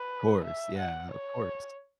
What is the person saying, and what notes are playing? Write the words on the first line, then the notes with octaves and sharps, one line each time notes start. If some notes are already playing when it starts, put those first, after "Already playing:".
Of course. Yeah. Of course.
Already playing: B4
E5
F#5
C#5